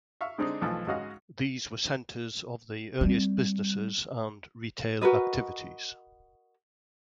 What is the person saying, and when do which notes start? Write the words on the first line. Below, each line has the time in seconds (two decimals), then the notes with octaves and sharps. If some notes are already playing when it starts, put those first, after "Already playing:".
These were centers of the earliest businesses and retail activities.
0.21 E5 F5 C#6
0.38 D3 G#3 C4 D4 D#4 G#4
0.61 B1 E3 F3 A3
0.87 G#2 C#4 F#4 D#5 F5
3.01 G3 C4
5.01 F#4 A#4 B4 D#5